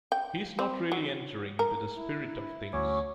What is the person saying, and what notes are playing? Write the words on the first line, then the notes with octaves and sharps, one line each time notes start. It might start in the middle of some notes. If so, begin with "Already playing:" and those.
He's not really entering into the spirit of things.
G5
C4
F#3
A#4
E4
D2 F#3 C#4 C#5 D6